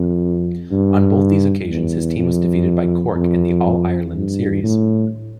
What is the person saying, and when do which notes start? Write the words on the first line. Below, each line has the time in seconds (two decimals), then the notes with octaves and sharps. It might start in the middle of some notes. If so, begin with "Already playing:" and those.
On both these occasions his team was defeated by Cork in the All-Ireland series.
Already playing: F2
0.72 G2
1.70 E2
2.18 F2
3.16 F2
4.15 G2
4.63 A2